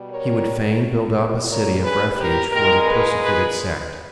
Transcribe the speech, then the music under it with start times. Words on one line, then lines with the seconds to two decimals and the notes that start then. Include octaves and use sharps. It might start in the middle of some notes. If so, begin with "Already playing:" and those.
He would fain build up a city of refuge for the persecuted sect.
Already playing: B2 G3
0.10 A#4 C#5
1.13 A#2 G3
1.47 A#4 C#5
1.82 G#4 B4
2.16 G4 A#4
2.51 A#2 G#3 G4 A#4
2.85 G#4 B4
3.20 G#4 B4